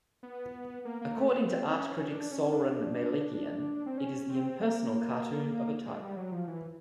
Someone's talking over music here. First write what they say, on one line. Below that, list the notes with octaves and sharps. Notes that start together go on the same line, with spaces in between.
According to art critic Souren Melikian, it is the impersonal cartoon of a type.
B3
A#3
A#3
A3
C4
C4
C#4
D4
C#4
D4
C4
C#4
C4
A#3
G#3
G3
F#3
F3
E3